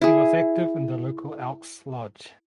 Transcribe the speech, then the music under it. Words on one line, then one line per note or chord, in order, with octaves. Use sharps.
He was active in the local Elks lodge.
E4 G#4